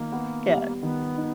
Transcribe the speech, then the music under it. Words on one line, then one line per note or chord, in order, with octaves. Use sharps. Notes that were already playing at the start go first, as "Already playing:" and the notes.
Yeah, it's
Already playing: D#3 A#3
B3
G3
D#3 B3
D#4